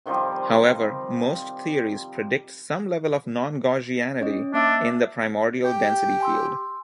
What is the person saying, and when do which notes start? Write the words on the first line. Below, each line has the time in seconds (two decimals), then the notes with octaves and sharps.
However, most theories predict some level of non-Gaussianity in the primordial density field.
0.06 C3 D#3 F3 G3
4.21 C#4 C#5 D#5
4.54 A#3 D4 E5 E6
5.64 G4 G5
6.20 G#5 C6 E6